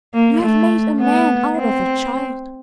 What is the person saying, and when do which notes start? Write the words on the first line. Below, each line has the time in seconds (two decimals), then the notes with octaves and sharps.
You have made a man out of a child.
0.14 A#3
0.42 A3
1.00 B3
1.58 C4